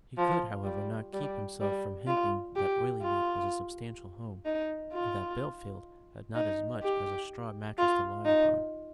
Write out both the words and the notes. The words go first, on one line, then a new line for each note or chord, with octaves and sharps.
He could, however, not keep himself from hinting that Oileymead was a substantial home, and that Bellfield had not as much as a straw mattress to lie upon.
F3
G3
G3
G3
F4
G4
F4
D#4
F4
D#4
G4
F4
D#4